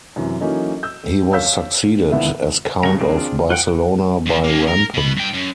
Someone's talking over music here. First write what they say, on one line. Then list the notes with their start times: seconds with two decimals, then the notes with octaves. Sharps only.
He was succeeded as Count of Barcelona by Rampon.
0.16 F#2 C3 E3
0.40 E3 F#3 A#3 C#4 D#4 A4
0.83 E6 G6
1.31 C#5 F5 E6 G6 B6
2.12 E1 D#2 D3 B3 E4 E5
2.83 G2 C#3 A#5 C#6
2.99 C4 D4 G#4
3.17 F4
3.50 F4 F#5 G5 F#6
4.26 F2 F3
4.44 A#3 C#4
4.67 A#4
4.94 B2 B5
5.17 G2 G5
5.33 F#2